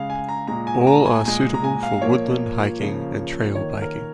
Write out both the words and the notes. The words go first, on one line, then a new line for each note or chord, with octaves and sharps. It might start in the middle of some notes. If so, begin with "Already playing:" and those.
All are suitable for woodland hiking and trail biking.
Already playing: C#3 G#3 F5
G#5
A#5
A#2 G#3 A#5
G#5
A#5
G#5
A#2 G#3 G#5
A#5
G#5
F5
A#2 F3 A#3 C#5
C#3 F3 A#3
D#3 A#3 C#5
A#4